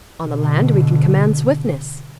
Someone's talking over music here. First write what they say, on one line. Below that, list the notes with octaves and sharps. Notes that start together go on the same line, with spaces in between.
On the land we can command swiftness.
B2 D3